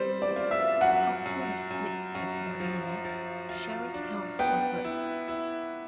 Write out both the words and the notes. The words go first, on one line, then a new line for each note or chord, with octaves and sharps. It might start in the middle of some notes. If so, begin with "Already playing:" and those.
After her split with Barrymore, Cheryl's health suffered.
Already playing: G3 C4 C5
D5
F4
E5
F#2 F#5
F#2
F#2
F#2
F3
F3
F4
D4
B3 G5
E4
E4